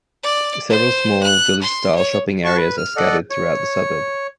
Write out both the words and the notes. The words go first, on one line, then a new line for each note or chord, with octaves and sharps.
Several small, village style shopping areas are scattered throughout the suburb.
D5
C5
F#6
C6
C#5
F#4 A5 C#6
B4
F6
A4 D5 D#5 F#5
C#5